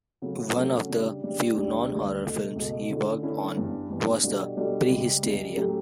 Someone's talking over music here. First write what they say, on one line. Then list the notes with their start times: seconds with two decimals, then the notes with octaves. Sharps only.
One of the few non-horror films he worked on was the Prehysteria!
0.22 C#3 F#3 A3 C#4 F#4
0.56 C#3 F#3 A3 C#4 F#4
0.89 C#3 G3 D4
1.22 C#3 G3 D4
1.56 D2 D3 G3 D4 G4
1.89 D2 D3 G3 D4 G4
2.23 C#2 B2 A3
2.56 C#2 B2 A3
2.89 D3 A3 C#4 E4 A4
3.23 D3 A3 C#4 E4 A4
3.56 G2 E3 B3
3.89 G2 E3 B3
4.24 B2 G3 D4 F#4 A4
4.57 B2 G3 D4 F#4 A4
4.90 C#2 C#3 G3
5.23 C#2 C#3 G3
5.57 A2 F#3 A3 C#4 G4